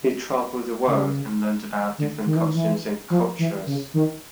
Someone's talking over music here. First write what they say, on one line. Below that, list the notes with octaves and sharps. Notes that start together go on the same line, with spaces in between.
He traveled the world and learned about different customs and cultures.
C#3
D3
D#3
E3
D#3
E3
F3
E3
C#3
D#3